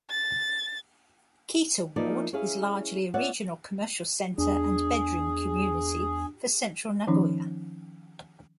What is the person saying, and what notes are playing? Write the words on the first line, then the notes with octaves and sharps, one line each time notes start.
Kita Ward is largely a regional commercial center and bedroom community for central Nagoya.
A6
F3 A#3 D#4 E4 A#4 D5
C#4 E4 G#4 F5
F4 C#5 D5 E5 F#5
E2 D4 G#4
D#3 F3 C#4 D#4